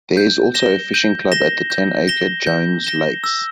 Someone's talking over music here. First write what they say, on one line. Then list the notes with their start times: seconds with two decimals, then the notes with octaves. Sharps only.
There is also a fishing club at the ten acre Jones Lakes.
0.17 G6
0.54 A#6 E7 G7
0.94 G6
1.32 A#6 E7 G7
1.70 G6
2.08 A#6 E7 G7
2.47 G6
2.84 A#6 E7 G7
3.24 E6